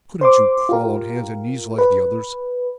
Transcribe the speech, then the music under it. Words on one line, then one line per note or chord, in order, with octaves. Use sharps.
Couldn't you crawl on hands and knees like the others?
C5 C6 D6
F4 G4 A#4
B4